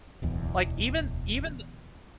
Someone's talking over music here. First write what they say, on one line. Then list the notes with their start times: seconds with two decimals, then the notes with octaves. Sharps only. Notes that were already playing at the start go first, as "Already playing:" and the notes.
like even, even th
0.22 D1 B1 E2